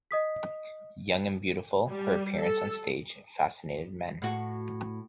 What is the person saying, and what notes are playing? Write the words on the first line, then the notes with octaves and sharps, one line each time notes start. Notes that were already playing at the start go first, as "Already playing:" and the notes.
Young and beautiful, her appearance on stage fascinated men.
D#5 D#6 B6
G3
A4
A2 F#4